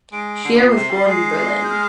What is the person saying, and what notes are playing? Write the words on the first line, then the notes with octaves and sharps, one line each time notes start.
Scheer was born in Berlin.
G#3 D7
D3 C7
A#2
C3
G3
G#3
G6
F6